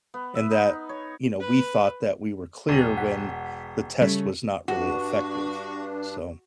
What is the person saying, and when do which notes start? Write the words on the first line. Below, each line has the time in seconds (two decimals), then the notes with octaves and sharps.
and that, you know, we thought that we were clear when the test was not really effective, so
0.14 B3
0.35 E5
0.51 D#4
0.89 C#5
1.40 B4
2.69 E1 D#7
2.97 F#5 B6
4.01 C#3 G3 A3 C#4
4.68 G2 D4 F#4